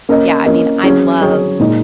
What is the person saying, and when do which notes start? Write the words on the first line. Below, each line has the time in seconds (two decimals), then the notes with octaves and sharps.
yeah, I mean, I love
0.09 A#3 C#4 A#4 D#5
0.46 A#3 C#4 A#4 D#5
0.83 F#3 C#4 G#4 C#5
1.21 F#3 C#4 G#4 C#5
1.59 A#2 G#3 D#4